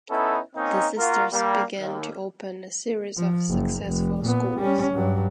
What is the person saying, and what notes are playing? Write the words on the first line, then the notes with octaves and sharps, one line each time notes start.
The Sisters began to open a series of successful schools.
B3 C#4 D#4 E4 A4
A#3 C4 C#4 D#4
A#3 F4 F#4 A#4
G3 A#3
D#2
F3
F#1
F1
A#2 B3
G3 C#4
G2 F#3